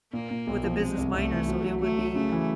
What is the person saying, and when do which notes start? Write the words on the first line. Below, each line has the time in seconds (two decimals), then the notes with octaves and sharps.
with a business minor, so it would be
0.13 A#2 A#3
0.31 A#2
0.47 B1
0.63 F3
0.80 C3 G#3
0.97 C2
1.14 C2 A3
1.31 E3
1.48 F#3
1.64 F#3
1.82 F#3 A3
1.99 F#3
2.15 C#3 A3
2.32 E3